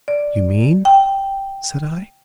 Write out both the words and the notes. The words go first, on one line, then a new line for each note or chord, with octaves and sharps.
"You mean?" said I.
D5
G5